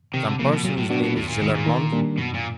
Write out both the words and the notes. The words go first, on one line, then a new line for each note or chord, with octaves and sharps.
"Some person whose name is Gillenormand?"
C3 D#3
D3
C#3 F3 A#3
B2
A#2 F#3
A2
A2 B3 D4 F#4
B2
D#2 A2
A#2
B2 D#3 G#3
A#2
D#3
G3 A#3 D4
F#2 B2
A#2